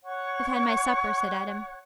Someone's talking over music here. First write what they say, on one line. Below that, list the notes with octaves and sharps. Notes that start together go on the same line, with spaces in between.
"I've had my supper," said Adam.
C#5 F#5 C#6 F#6